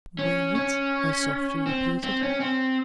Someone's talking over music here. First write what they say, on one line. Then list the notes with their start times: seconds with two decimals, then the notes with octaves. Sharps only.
"Wait?" I softly repeated.
0.19 C#4
0.55 C#4
1.66 C4
2.04 C4
2.23 C#4
2.40 C4